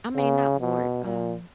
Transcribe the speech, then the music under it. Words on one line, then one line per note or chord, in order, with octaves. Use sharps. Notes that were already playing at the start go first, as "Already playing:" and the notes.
I mean, not Ward, um
C#3
B2
A#2